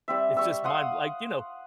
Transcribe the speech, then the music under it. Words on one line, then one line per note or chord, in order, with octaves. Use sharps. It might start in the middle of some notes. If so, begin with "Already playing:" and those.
It's just mind like, you know?
G3 C4 E5
G3 C#6 E6
F5 F#5 C6 D#6